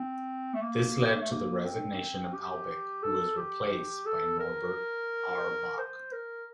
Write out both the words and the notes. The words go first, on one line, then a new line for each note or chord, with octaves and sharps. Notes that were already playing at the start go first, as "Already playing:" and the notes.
This led to the resignation of Albeck who was replaced by Norbert Auerbach.
Already playing: C4
A3
A#3
A3
A#3
C4
G4
A4
G4
A4
A#4
C5
A#4